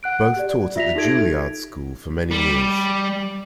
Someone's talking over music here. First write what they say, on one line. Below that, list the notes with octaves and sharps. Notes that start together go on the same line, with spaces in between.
Both taught at the Juilliard School for many years.
F#5 F#6 D7
G4 D5
F4 E5 A#6 B6 F7
D#4 G4 A4 G#6 D7
G3